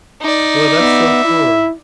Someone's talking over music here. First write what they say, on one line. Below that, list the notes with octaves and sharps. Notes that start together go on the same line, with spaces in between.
Well, that's so cool.
D#4 D5
B3 E5
E4